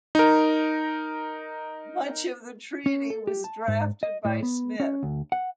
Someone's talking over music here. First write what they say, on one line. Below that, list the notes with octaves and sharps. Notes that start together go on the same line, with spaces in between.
Much of the treaty was drafted by Smith.
D#4 A#4
C#4
A4
G4
A5
G#2
D#5
A2
B3
C#4
D2
F#5